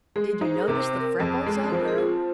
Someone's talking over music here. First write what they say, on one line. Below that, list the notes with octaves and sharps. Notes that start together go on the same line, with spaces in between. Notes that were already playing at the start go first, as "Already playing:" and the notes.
Did you notice the freckles of her?
G#3 G#4
D#4 C5
G#4
A#4
C3
C5
C4
A#4
F2 G#4
G#3
G#4
F3 C5
A#4
G#4
C4 F4